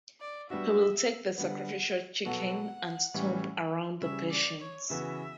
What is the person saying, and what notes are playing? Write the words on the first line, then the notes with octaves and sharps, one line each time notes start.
He will take the sacrificial chicken and stomp around the patient.
D5
G3 B3 D4 F#4 E5
D3 G3 B3 F#5
B2 F#3 B3 F#4 A4 F#5
A2 E3 G3 C#4
C#3 G3 C#4 E5
D5
C#5
C#3 E3 B3 F#4 E5